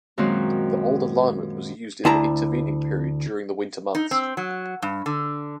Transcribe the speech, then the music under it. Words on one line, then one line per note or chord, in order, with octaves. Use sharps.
The old alignment was used in the intervening period during the winter months.
F#2 A#2 D#3 G#3 C4 F#4
D2 E4 A5 A#5
D#4
C4
F#3
G2
D3